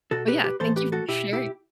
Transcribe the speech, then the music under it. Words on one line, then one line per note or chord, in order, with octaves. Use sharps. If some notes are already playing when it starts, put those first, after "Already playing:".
But, yeah, thank you for sharing
B2 F#4 A4
G4 B4
G4 B4
A2 E3 A4 C5
G4 B4
F#4 A4
B2 E4 G4
E4 G4